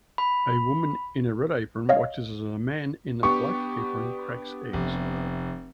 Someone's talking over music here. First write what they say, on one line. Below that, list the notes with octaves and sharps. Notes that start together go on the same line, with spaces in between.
A woman in a red apron watches as a man in a black apron cracks eggs.
B5
C#5 D#5 F5
B3 D4 G4 C#6
F1